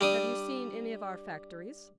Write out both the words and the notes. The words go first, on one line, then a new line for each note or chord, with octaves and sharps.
Have you seen any of our factories?
G3 D4 D#6